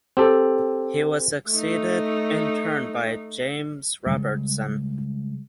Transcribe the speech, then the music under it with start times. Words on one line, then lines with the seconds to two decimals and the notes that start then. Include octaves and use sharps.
He was succeeded in turn by James Robertson.
0.17 C4 G4 A4
1.50 A3 D#4
4.07 C#3 G3 G#3